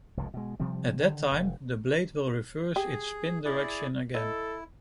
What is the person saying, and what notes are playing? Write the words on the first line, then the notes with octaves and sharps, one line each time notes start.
At that time, the blade will reverse its spin direction again.
F1 C#2 A2
B2 G#3
C3 F3 G3 C4
D3 D#3
F1
G4 G#4 G5
E4 G#4 D5
E4 A4 D#5